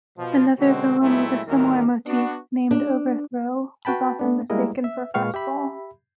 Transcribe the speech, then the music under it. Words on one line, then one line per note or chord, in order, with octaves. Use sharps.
Another villain with a similar motif, named Overthrow, was often mistaken for Fastball.
B2 F3
B2 D3 G#3 C4 F#4 C5
A#2 F#3 G#3 A3 C4 E4
A1 D#2 D#3 E3 F#3 A#4
B3 D4 F#4
D4
F#4 B4 G5 A5 B5
A3 B3 D4
G3 G#3 A#3 E4 A#4 D#5
E5
A#2 G#3 B4 F5 C#6 F6
G4 E5 B5